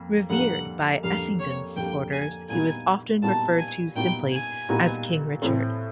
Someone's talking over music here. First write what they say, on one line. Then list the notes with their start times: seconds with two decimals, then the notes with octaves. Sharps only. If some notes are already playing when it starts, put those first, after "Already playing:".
Revered by Essendon supporters, he was often referred to simply as "King Richard".
Already playing: F2 A#3
0.30 F2 D3 G3 A#3 F#5
1.03 F2 D3 G3 A#3 F5
1.39 C#5
1.76 F2 D3 G3 A#3 G5
2.13 G#5
2.49 A#2 G3 B3 D#4 F#4 G#5
3.22 A#2 G3 B3 D#4 F#4 A5
3.59 G#5
3.95 A#2 G3 B3 D#4 F#4 G5
4.32 G#5
4.69 A#2 G3 B3 D#4 F#4
5.42 A2 E3 A3 C4